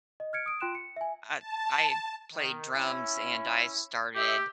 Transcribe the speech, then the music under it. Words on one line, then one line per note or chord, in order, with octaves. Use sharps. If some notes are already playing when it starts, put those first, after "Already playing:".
uh, I played drums, and I started
D#5
F6 G#6 C#7 D7
D#6 D7
F4 G5 C6 F#6 D7 E7
C#7
E5 G#5
A5
D#3
C#4 E4
G4 D#5 E5